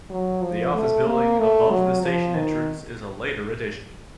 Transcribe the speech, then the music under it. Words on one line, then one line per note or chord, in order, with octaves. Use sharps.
The office building above the station entrance is a later addition.
F#3
F3
A3
A#3
A3
F#3
F3
D#3